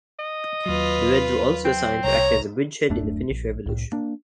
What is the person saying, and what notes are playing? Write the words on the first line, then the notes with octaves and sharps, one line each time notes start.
The Reds were also assigned to act as a bridgehead in the Finnish revolution.
D#5
D#2 F#3 F4 B4
C4
C2 C#5 A#5
D1 F#2 A3 D4
A#1
C2 A2
A#3 D4